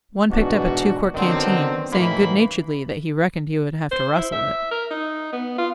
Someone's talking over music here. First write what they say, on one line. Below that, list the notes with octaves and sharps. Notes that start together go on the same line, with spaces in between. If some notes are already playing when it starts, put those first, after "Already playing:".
One picked up a two-quart canteen, saying good-naturedly that he reckoned he would have to rustle it.
G#2 B2 E3 D4 F#4
D3 D#3 F#3 B3 C4
F#2 A2 D#3 E3 A#3 B5
C5
E4
E5
A#4
D#4
B3
F4